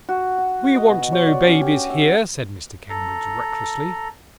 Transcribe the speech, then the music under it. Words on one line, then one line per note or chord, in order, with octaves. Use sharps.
We want no babies here,' said Mr Kenwigs recklessly.
F#4
F#4
F#4
D#5
B2
C#5
D5
C#4
G4
F#4
E5
A4 A#5